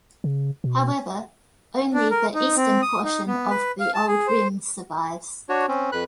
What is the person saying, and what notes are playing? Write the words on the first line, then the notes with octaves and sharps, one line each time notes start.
However, only the eastern portion of the old rim survives.
C#3
B2
D4
A#4
D#4
C4
D#6
D#4
B3
B4
F5
A5
G#4
C5
D4 F#4 C#5
C4 C#4
F2 B4 B5 F#6